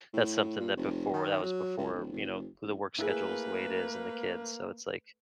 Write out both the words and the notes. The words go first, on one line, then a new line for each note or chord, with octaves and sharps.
that's something that before that was before, you know, the work schedule is the way it is and the kids. So it's, like,
A2
A#2
F1
D#3
F#3
C#2
D1
F#1
A1
A3 A#3 E4 G#4 B4